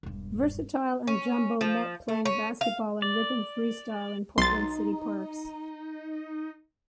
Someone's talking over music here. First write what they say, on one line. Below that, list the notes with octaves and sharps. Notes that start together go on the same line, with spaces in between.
Vursatyl and Jumbo met playing basketball and ripping free-style in Portland city parks.
E1 G2
C#4
F3
A3
C#4
F5
D5
B1 D#4 C6 A6